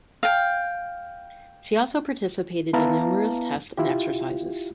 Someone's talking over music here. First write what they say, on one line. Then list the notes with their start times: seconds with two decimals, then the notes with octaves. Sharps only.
She also participated in numerous tests and exercises.
0.23 F5 G5
2.73 B3 E4 B4 F5 A5 A#5
3.77 E4 F4 G4